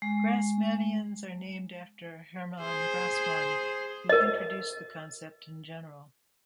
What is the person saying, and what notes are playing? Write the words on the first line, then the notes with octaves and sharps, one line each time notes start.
Grassmannians are named after Hermann Grassmann, who introduced the concept in general.
G#3
G#4 C5
A#4 D#5